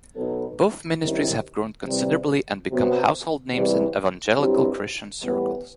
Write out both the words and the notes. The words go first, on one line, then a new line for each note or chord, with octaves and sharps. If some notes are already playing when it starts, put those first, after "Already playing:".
Both ministries have grown considerably and become household names in evangelical Christian circles.
B2 F#3 B3 D#4 A4
F#2 D#3 G3 C4 E4
C3 E3 G3
C3 F#3 B3
E2 C3 E3 G3
G2 F#3 C4 E4 G4
A2 E3 G3 B3